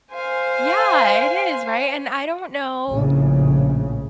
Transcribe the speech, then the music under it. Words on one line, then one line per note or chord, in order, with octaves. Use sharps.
Yeah, it is, right? And I don't know
C5 F5 G#5
A#1 A2 C#3